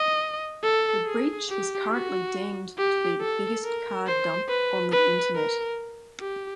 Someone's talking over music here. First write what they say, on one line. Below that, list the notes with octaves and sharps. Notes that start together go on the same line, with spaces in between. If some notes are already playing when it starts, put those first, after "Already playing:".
The breach is currently deemed to be the biggest card dump on the internet.
Already playing: D#5
A4
G#4
G4
F#4
G4
A4
A#4
C5
B4
B4
A#4
G4